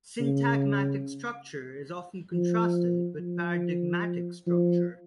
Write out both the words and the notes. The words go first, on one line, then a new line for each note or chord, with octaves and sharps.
Syntagmatic structure is often contrasted with paradigmatic structure.
C#3
F3
F3
F3